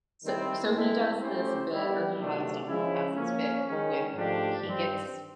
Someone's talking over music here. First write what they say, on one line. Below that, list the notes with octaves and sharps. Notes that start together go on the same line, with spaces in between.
So so he does this bit or he has done, in the past, this bit with he gets
D#3 G3 C4 E4
G#3 C4 E4 A4
A3 C#4 E4 G4 C5
D#3 G3 B3 E4 G4
C3 D#3 F#3 A3 D4
F3 G#3 C#4 E4
F3 A#3 C#4
D#3 G#3 C#4
G#2 F3 A3 D4 G4
G2 D#3 G3 C4